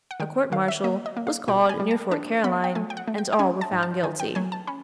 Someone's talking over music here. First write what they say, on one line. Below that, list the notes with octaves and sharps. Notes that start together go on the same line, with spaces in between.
A court-martial was called near Fort Caroline, and all were found guilty.
F#5
D#3 G5
D#3 F5
E5
A#3 D#5
D#5
A#3
F5
B2 G5
G#5
G3
A5
D4 A5
B3 B5
G5
A3 G#5
G5
F#5
A3
G5
G5
C#4 G#5
A5
G#2
A5
D#3 G#5
G5
F#3 G#5
A5
C#4 B5